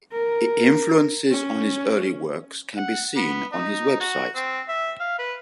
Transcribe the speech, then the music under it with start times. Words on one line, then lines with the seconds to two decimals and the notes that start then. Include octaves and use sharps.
Influences on his early works can be seen on his website.
0.13 A#4
1.31 C#4
2.77 F#5
3.16 B3
3.53 D#4
4.00 F#4
4.35 C4
4.69 E5
5.00 F5
5.19 B4